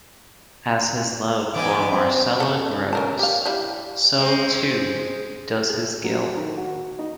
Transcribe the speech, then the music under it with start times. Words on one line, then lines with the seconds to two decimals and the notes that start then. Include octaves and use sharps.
As his love for Marcella grows, so too does his guilt.
1.55 E2 B3 D#4 G#5 D6
1.91 C4
2.40 C#4 A4
2.93 C#4 A#4 A5
3.19 G4 F5
3.46 E3 G3 D4
4.19 G#3 C4
5.69 G#4
6.04 F#3
6.37 D#3
6.57 F#4
6.99 D#4